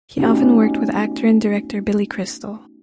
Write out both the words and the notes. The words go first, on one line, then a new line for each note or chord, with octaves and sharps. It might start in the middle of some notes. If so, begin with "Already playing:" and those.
He often worked with actor and director Billy Crystal.
A3 B3 C#4 D#4 F#4 G4